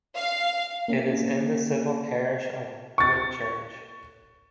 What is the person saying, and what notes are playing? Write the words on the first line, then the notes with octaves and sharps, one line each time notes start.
It is in the civil parish of Witchurch.
F5
A#3 C#4
C#6 A6